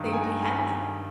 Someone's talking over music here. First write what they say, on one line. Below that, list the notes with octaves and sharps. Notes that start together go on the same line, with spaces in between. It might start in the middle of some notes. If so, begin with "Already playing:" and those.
they behead them.
Already playing: G2 D#3
G#5
A#5
G#5